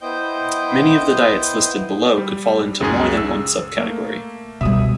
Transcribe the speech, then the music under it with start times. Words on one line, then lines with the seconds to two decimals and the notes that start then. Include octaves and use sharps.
Many of the diets listed below could fall into more than one subcategory.
0.01 B3 E4 C5 D#5 G5 G6
2.18 G3
2.81 C#2 F#2 G#4
3.18 E6
3.77 A3 A#3
4.61 B2 G3 E5 D#6